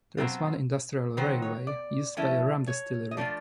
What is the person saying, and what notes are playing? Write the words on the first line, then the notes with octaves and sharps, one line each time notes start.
There is one industrial railway, used by a rum distillery.
B2 F#3 A3 C4 F4
D#3 F#3 B3 D#4 C5
C#5
D5
F3 A3 C#4 E4
C#5
D#5
F3 A3 D4 F4 D5